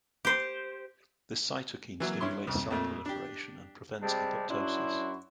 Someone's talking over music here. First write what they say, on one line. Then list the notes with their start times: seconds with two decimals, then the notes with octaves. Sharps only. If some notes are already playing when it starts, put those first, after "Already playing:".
This cytokine stimulates cell proliferation and prevents apoptosis.
0.25 G4 C5
2.00 E3 F#3 A#3
2.20 G2 E4 C#5 C6 C#6
2.47 C2 F2
2.71 F2 A#2 A3
3.06 D4 G4
4.03 C3 G3 G#3 C4 D5 A5
4.49 F#2 C#4 D4 E4 F#4 C6